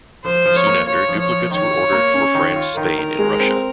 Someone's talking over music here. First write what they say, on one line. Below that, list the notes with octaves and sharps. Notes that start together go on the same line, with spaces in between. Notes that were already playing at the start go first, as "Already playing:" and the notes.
Soon after, duplicates were ordered for France, Spain and Russia.
F3 C5
F3
C#5
A#3
F4 C#5
F3
C#5
F3
D#3 C#5
F4
A#3
C#4
D#3
F4
D#3 A#4
D#3
G#3
C4